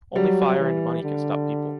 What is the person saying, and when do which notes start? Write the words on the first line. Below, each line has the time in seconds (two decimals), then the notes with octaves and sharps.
Only fire and money can stop people.
0.15 F#3 G3
0.59 E3
1.03 D3